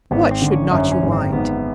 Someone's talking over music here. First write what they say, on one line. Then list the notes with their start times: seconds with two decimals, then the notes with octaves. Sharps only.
"What should not you mind?"
0.11 G#1 B3
0.31 C4
0.42 D3
0.51 C#4
0.71 F#2 C#4
0.92 C#4
1.02 G#1
1.12 C4
1.33 G#1 B3